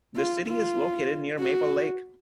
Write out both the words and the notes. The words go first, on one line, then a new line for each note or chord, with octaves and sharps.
The city is located near Maple Lake.
F4
F4
F#4